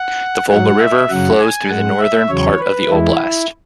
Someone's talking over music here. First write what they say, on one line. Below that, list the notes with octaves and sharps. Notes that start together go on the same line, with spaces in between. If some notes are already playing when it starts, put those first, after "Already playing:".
The Volga River flows through the northern part of the oblast.
Already playing: F#5
G#2 F#3 F#5
E5
F#2 C#3 F#3 F#5
G#5
G#2 G#3 F#5
E5
E2 C#3 F#3 C#5
B4
E2 E3 G#3 E4